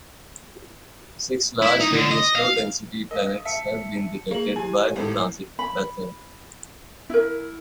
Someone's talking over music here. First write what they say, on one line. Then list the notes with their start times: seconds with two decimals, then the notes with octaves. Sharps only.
Six large-radius low-density planets have been detected by the transit method.
1.62 E4
1.80 D#4
1.93 D3
2.11 D#5
2.35 F5
3.11 A#4 D#5 F5
3.45 E5 A5 C#7
4.31 A#3 G#4 F#7
4.56 E4 G4 G#5
4.96 G#1 A2 A4
5.59 B5
7.10 E4 A#4